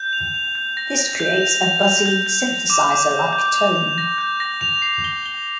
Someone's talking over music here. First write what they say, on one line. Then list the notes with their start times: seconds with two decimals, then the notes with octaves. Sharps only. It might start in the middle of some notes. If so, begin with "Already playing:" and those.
This creates a buzzy synthesizer like tone.
Already playing: G6
0.13 F7
0.34 F7
0.55 G6
0.77 A#6
0.98 A#6
1.20 G6
1.41 F7
1.62 F7
1.83 F7
2.06 G6
2.26 G6
2.47 F7
2.70 D6
2.91 D6
3.11 G6
3.33 G6
3.54 F7
3.75 F7
3.98 A#6
4.18 G6
4.40 A#6
4.61 F7
4.82 C7
5.04 G7
5.26 G7